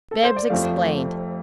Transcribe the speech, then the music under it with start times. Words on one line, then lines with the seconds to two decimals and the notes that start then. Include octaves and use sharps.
Bibbs explained.
0.11 A4
0.24 C5
0.36 D5
0.50 F1 F2 F3 A3 F5